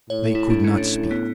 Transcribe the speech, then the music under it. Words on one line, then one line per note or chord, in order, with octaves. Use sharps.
They could not speak.
A2 C#5
E4
D4
C#4
D4
B3